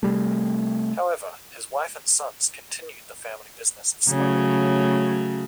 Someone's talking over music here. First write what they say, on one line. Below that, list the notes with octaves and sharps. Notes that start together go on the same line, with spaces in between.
However, his wife and sons continued the family business of smuggling.
C3 G3 A3
C#3 F#3 A3